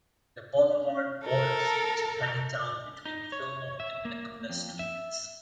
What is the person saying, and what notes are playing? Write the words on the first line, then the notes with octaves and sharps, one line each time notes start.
The boulevard borders Japantown between Fillmore and Laguna Streets.
A4 A#4
D#4
C#5
E5
A#3
F2
E5